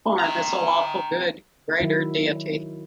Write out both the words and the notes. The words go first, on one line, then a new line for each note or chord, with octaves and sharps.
Torm is a Lawful Good greater deity.
G5 A#5
D#3 F#3 E4